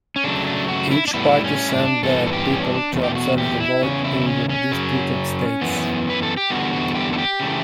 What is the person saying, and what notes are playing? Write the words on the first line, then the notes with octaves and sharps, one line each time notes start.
Each party sent their people to observe the vote in the disputed states.
C#4
C#3 F#3 A3 D4
D4
F#4
E4
D4
A2 G3 B3 E4
C#4
E4
D4
G2 E3 B3 A4
A4
G4
C#4
D4
E2 B2 A3
G4
F#4
G4
E4
E2 C#3 C#4
E4
C#4
C#4
F#2 C#3 F#3
F#2 E3 B3
B4
A4
G4
E2 D3 G3 B3 F#4
F#4
G4
A4
G4
C#3 E3 A3